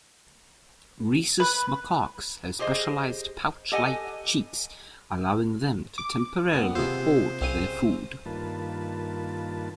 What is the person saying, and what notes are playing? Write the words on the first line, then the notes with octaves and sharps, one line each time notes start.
Rhesus macaques have specialized pouch-like cheeks, allowing them to temporarily hoard their food.
B4
G4 G#4 C5 D#5
G4 A4 D#5 F#5 G#5
D6
F#1 D#2 B3 F#5
C3 F4 G#4 C5 E6
C2 C#3 C4 C#4 D#7
G2 D#3 A#3 F4 B4 A5